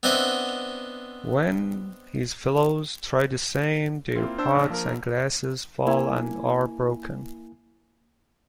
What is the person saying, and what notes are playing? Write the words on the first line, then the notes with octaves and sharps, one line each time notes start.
When his fellows try the same, their pots and glasses fall and are broken.
B3 C4 D4 D#5 E5 F#5
A#3 C4 E4 F4
D4 C5 A5 E6
A#1
F3 A#3 A#4
A#3 E4 G#5